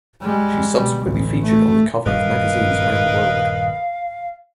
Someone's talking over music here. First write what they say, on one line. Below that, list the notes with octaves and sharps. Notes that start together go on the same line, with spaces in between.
She subsequently featured on the cover of magazines around the world.
G3 G#3
B2 G3
A1 D2
A3
D#1 G2 G3 A#4 B4 D#5 F5